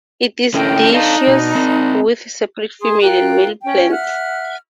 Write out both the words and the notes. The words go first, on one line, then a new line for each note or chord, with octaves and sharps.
It is dioecious, with separate female and male plants.
A2 D3 C#4 E4 A#4 G5
D4 D#4 A4 F5 A5
B2
C4 A#4
G#4 C6 D#6
F4 A#4 G5 F#6
C#4 G5
E5 F#5 F6